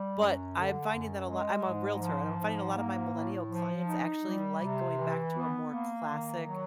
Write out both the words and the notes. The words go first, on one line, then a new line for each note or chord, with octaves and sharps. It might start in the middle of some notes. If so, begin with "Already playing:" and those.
but, I'm finding that a lot I'm a realtor and I'm finding a lot of my millennial clients actually like going back to a more classic
Already playing: G3
F#2
D3
F#2
G#3
G#2
F3
G#2
A#3
A2
F3
D#4
G3
C3
E3
B3
A#3
D#3
F#3